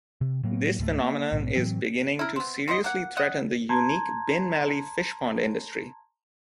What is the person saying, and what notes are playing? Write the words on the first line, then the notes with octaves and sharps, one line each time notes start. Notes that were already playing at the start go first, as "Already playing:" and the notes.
This phenomenon is beginning to seriously threaten the unique Binmaley fishpond industry.
C3
A2 F#3 A#3
C#2 G#2 G#3 A3
A#3
A#1 G#2 B2
A2 E3 F#3 C4
E4 A#4
B3 C4
B3 C4 C5 D#5
A#3 F#5
D#5 F#5
A5 A#5 C6 G6 G#6